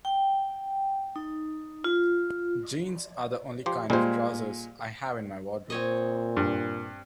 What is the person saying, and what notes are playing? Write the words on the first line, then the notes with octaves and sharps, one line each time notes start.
Jeans are the only kind of trousers I have in my wardrobe.
G5
D#4
F4
F3 G4 C5
A#2 G3 G#3 C5
A#2 C4 C#5 D#5
G2